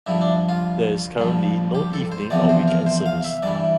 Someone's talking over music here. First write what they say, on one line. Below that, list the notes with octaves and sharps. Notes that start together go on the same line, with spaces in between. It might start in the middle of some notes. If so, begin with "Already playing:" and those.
There is currently no evening or weekend service.
G2 F3 E4
D4
F4
G2 F3
G4
A4
C5
E2 C3 F3 D5
C5
A#4
C5
F5
E5
G2 E3 D5